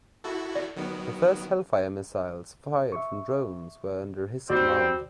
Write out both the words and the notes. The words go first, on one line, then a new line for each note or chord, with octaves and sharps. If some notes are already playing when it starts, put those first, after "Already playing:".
The first Hellfire missiles fired from drones were under his command.
E4 F#4 A4
D5
D#3 F#3 B3
E5 C#6
D#2 G3 C4 F#4 D5